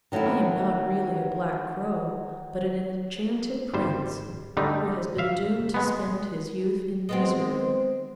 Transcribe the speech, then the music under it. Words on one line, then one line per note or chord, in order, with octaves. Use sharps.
'I am not really a black crow, but an enchanted Prince, who has been doomed to spend his youth in misery.
D#3 F#3 A3 C#4 E4
G#1 G3 C5
D3 G3 A3 D#4
E5 F5
G#3 B3
G#3 B3 C4